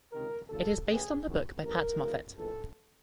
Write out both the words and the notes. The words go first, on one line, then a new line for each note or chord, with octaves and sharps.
It is based on the book by Pat Moffett.
C#2 C3 D#3 A#4
D2 C#3 E3 A4
A1 A2 E3 G#4
F#1 F#2 D#3
A1 G2 E3 A#4
D2 C#3 E3
A#1 A2 E3 A4